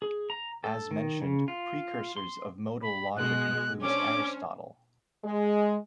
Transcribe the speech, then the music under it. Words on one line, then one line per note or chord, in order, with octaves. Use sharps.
As mentioned, precursors of modal logic includes Aristotle.
G#4
A#5
A4
D#3
C#3
F4
C6
B5
B2 G#3 F#6
C#4 D4 C5 D6
G#3